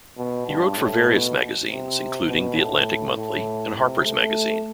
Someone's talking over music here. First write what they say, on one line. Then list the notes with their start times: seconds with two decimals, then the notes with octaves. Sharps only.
He wrote for various magazines, including "The Atlantic Monthly" and "Harper's Magazine".
0.18 B2
0.47 G2
0.77 A2
1.07 B2
1.66 C3
2.26 B2
2.56 A2
3.16 A2
3.76 C3
4.05 A3